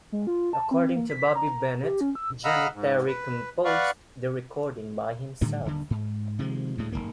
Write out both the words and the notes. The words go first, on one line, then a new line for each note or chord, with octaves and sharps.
According to Bobby Bennett, Johnny Terry composed the recording by himself.
G#3
F4
A5
C4
A#3
B6
A#5
G4
C#4
E6
D#5 F5 F#5 A#5 B5 E6
G#2
B4
B4 D5 F5 F#5 C#6
A2 D3 D#3 G3
D#1 D3
G#2
C3 D#3 F3 G#3
D2 A2 G#3
F1 D#2 G#2 A#3